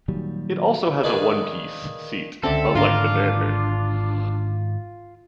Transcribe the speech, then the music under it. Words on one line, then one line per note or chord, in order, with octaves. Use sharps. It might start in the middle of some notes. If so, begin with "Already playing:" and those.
It also has a one-piece seat, unlike the Bandit.
A#2 D#3 F#3 G3
D#3 A#3 D4 D#4 G#4 B4
C#2 D3 C4 C#4 A4 E5
G#2 D#3 D4 F4 A#4 F5